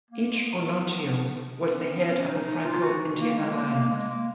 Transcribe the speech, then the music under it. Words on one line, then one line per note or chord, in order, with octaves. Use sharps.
Each Onontio was the head of the Franco-Indian alliance.
A#3
G#3
A#3
B3
B3
C#4
B3
C#4
D#4
D#4
F4
F#4
A#3
G#3
A#3
A#3
G#3
A#3